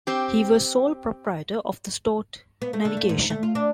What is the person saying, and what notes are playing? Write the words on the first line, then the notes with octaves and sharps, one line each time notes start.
He was sole proprietor of the Stort Navigation.
C4 G4
B3
A3
D3
A3
G#2
A3
F4
D4